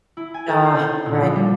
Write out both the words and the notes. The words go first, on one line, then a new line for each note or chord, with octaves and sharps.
Ah, righ
E4
G#5
A4
C5
C#4
A#2
F3
G3